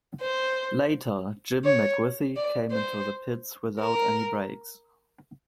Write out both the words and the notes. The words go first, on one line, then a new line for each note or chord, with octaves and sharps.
Later, Jim McWithey came into the pits without any brakes.
C5
C#5
D5
C5
A#4